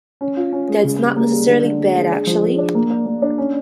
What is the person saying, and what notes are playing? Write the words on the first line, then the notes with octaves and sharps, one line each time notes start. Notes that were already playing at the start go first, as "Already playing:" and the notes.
That's not necessarily bad, actually.
C#4
F4
C#4
G#3
C#3
G3
A#3
G3
D3
D3
G#3
G#3
D4
F3
F3
D4
A#3
A#3
A#3
D4
C#4